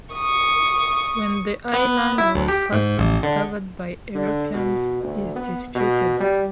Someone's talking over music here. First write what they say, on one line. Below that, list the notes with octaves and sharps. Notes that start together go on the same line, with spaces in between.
When the island was first discovered by Europeans is disputed.
C#6 D#6
B3
E4
D2
G4
G#2
A1
D3
D3
B2
D2
B3
B2
G3